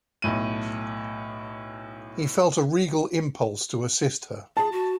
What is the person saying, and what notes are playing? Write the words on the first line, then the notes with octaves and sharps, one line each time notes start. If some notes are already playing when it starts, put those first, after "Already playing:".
He felt a regal impulse to assist her.
B1 A2 D#7
G#4 A5
F#4